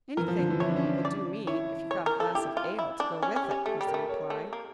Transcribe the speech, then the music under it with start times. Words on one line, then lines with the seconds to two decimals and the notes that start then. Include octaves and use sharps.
"Anything will do me, if you've got a glass of ale to go with it," was the reply.
0.17 E3 A#4
0.28 F3
0.39 D3
0.50 E3
0.60 E4 C#5
0.69 D4
0.76 C#4
0.84 D4
1.05 D5
1.47 E4 C#5
1.91 C#5
2.06 A#4
2.20 A4
2.35 E4 G4
2.57 F4
2.79 E4
3.00 D4
3.23 C#4
3.36 C#4
3.43 G4
3.51 C#4
3.66 A3 G4
3.81 G3
3.87 A#4
3.94 A3
4.09 C#5
4.30 A3
4.53 A#3